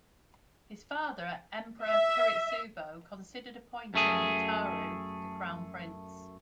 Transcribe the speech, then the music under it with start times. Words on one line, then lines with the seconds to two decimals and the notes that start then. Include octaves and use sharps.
His father Emperor Kiritsubo considered appointing Hikaru the crown prince.
1.85 E5
3.94 F#2 A3 G#4